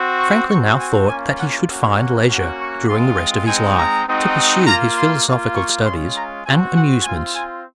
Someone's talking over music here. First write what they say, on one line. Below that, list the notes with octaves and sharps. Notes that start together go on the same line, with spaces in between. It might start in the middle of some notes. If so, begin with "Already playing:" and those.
Franklin now thought that he should find leisure, during the rest of his life, to pursue his philosophical studies and amusements.
Already playing: C4 F#4
C#6
C4 F#4 C#6
G#5
A#3 C#4 F4 G#5
F#5
A#3 C#4 F#4
F#5
A#3 C#4 F#4
C#6
G#3 C4 F4 C6
G#3 C4 D#4 G#5
A#5
G#3 C4 D#4 F#4
A#3 F4 A#5
C6
A#3 F4
C#6
G#3 C#4 F4 C6
A#5
C4 F#4 G#5
F#5
C4 F4 G#5
G#5